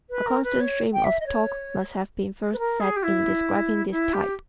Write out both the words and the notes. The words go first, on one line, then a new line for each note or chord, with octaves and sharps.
"A constant stream of talk" must have been first said in describing this type.
B4
A#4
B4
C#5
G5
E5
D#5
C#5
B4
A#4
G#4
G4
E4
E4
G4